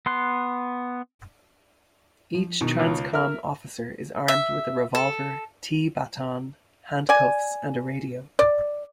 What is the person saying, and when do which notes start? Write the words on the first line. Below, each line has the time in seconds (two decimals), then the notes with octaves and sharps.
Each TransCom Officer is armed with a Revolver, T-baton, Handcuffs and a Radio.
0.06 B3 C6 F#6
2.34 F3
2.61 B2 D#3
2.79 C#2
3.13 A#4 E5 F6
4.28 E5
4.95 A4
7.09 D5 G#5
8.39 D5